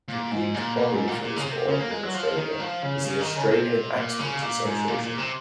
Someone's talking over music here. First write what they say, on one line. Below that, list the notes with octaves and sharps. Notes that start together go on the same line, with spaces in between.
The peak body for the sport in Australia is the Australian Axemen's Association.
A#2
G#2
A#2
A#2
G#2
A#2
A#2
C#3
C3
C#3
A#3
G#3
F#3
F3
D#3
F3
C#3
C#3
D#3
C#3
C3
A#2
C#3
A#2
G#2
A#2
A#2
C3